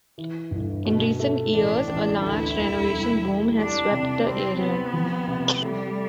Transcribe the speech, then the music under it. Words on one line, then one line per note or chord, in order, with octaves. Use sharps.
In recent years a large renovation boom has swept the area.
E3
G1
B2
A3
A1 D4
A1
D2 E4
E1
C2
G3
G3 D4
C3
G3 C4
B3 C4
F3
C3
G3 A3